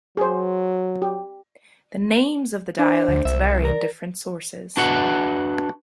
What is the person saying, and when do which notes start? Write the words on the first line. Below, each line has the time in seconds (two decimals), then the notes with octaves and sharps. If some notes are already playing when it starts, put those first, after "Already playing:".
The names of the dialects vary in different sources.
0.17 F#3 G#4 C5
1.02 G4
2.79 D4 C5
3.08 D2
3.25 C2 E5
3.65 A#4 D5
4.77 D4 F#4 B4 D#5 F#5